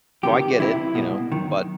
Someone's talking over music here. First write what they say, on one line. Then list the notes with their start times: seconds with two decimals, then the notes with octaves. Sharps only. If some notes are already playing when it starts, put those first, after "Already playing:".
so I get it, you know, but,
0.23 E2 C3 D#3 G4
0.59 E2 C3 E3 E4
0.95 C2 B2
1.32 F#2 D#3